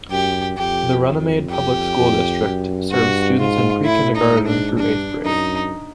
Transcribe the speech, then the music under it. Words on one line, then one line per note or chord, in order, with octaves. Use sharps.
The Runnemede Public School District serves students in pre-kindergarten through eighth grade.
F#2 G4
F2 G4
G4
F2
F#2
G2 F#4
G#2 F4
A2 E4
D#4
G#2
D4
G2 D4
F#2 D#4